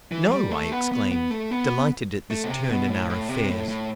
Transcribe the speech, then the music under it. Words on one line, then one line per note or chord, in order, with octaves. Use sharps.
"No!" I exclaimed, delighted at this turn in our affairs.
E3
F3
G3
A3
B3
B3
B3
A3
B3
A3
B2
C3
B2
A2
A2
C3
A2
A2